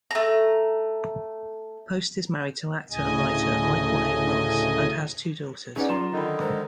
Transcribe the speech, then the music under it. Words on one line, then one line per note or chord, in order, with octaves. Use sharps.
Post is married to actor and writer Michael A. Ross, and has two daughters.
A3 A#5
D2 A2 C#3 D#5 G#5
C#4 D#4 G#4 B4 D5 F#5
F#3 C#4 F4 A#5 C6 E7
D3 D#3 D#4 D#5 B5
G#3 A#4 C5